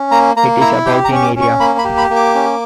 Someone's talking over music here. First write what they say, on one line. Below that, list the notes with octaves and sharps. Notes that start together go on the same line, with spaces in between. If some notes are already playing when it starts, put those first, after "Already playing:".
It is about in area.
Already playing: C#4
A#3 A#5
A#3 A#5
E4 A#5
G4 G5
A#5
C#4 C#6
D6
C#4
C#6
A#3 B5
B5
G4
B5
A#3
D6
C#4